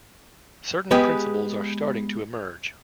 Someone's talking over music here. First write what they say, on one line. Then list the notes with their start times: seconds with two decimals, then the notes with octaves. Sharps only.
Certain principles are starting to emerge.
0.91 G#3 B3 G4 G#4 B4